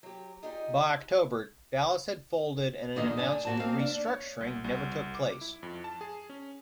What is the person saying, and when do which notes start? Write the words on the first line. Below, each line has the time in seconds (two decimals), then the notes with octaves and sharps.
By October, Dallas had folded and an announced "restructuring" never took place.
0.03 F#3 G4
0.43 D#4 F4 G4 G#4 D5 D#5
2.96 A#2 D3 D#3 F3 D#5
3.17 D3 A4 G#5
3.45 E2 A#2 F3 F#4 C5 A5
3.59 A#3 C4 F5
3.79 D4
4.06 C#5
4.41 C2
4.64 C2
5.15 D6
5.41 E4
5.63 F2
5.84 A5
6.01 G#4
6.30 C#4